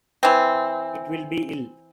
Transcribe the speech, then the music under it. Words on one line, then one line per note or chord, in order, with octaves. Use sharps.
It will be ill.
E3 C4